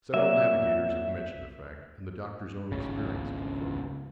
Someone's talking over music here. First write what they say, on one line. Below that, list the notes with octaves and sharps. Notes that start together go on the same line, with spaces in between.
Several navigators have mentioned the fact, and the Doctor's own experience confirmed it.
F#3 A#3 D5 E5
G#1 C#2 C#3